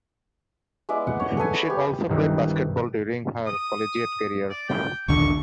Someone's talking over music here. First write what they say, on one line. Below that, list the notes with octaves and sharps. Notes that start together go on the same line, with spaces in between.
She also played basketball during her collegiate career.
G#3 B3 E4 D5
F#5
C#5
G#4 A4 B4 G#5
G#5 B5
B3 G4
B1 G2 D#3 E3
D#6
D5
G5
A#1 D#2 D3 C#6